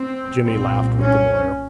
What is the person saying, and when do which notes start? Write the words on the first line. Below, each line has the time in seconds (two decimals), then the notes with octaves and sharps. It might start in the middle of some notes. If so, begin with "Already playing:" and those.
Jimmy laughed with the lawyer.
Already playing: C4
0.44 C2 A#2 C4
1.00 C#4